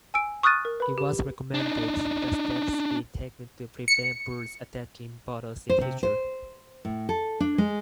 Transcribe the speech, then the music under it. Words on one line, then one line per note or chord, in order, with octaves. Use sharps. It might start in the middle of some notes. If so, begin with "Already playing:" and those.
It was recommended that steps be taken to prevent birds attacking bottles in future.
G#5 E6 D7
C#6 D#6 F6 F#6 A6 D#7
A#4
B4 B5
G4
D4 D#4
C#7
C5
C3
C5
A2
A4
D4
G#3